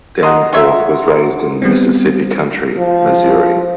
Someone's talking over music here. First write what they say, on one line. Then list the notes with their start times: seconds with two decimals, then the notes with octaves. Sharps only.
Danforth was raised in Mississippi County, Missouri.
0.23 D#5 F#5 A#5 C6
0.53 F4 C#5 E5
1.62 G3 B3 C4
2.78 F3